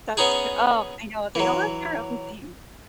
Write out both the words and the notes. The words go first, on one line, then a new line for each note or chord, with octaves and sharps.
That's true oh, I know. They all have their own thing.
B3 C#4 D#4 G#4
E3 F#3